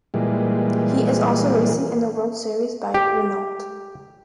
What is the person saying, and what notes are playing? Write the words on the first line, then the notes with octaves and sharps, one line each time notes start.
He is also racing in the World Series by Renault.
A#2 E3 G3 G#3
G4